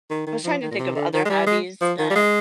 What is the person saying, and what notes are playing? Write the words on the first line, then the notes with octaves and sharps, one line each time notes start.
I was trying to think of other hobbies that
D#3
D#3
F3
D#3
A#2
C3
D3
D#3
G#3
G3
G#3
F3
D#3
G3
G#3